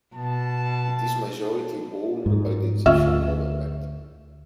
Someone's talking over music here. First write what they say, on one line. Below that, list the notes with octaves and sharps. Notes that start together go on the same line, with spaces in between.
It is majority owned by the Egyptian government.
B2 A5
G#2
D2 C#4 F4 E5